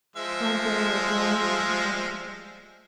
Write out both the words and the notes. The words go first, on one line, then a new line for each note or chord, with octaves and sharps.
John Ferrier groaned internally.
F3 G#3 E5